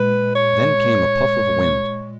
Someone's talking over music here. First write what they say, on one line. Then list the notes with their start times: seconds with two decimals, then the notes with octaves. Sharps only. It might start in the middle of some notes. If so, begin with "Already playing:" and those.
Then came a puff of wind.
Already playing: A#2 G#3 B4
0.35 C#5